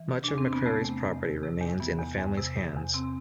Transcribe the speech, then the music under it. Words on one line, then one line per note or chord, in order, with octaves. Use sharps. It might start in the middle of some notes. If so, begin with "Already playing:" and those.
Much of McCrary's property remains in the family's hands.
Already playing: E3
C3
E2 D4
C4
C3
B3
C3 A3
E2
E2
C3
C3
E2
E3 B3
E2
E2
C3
E2
E2
C3 C4